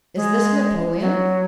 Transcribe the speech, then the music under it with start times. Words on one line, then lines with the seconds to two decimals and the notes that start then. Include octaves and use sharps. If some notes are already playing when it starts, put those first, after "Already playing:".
"Is this Napoleon?"
0.16 G#3
1.00 F#3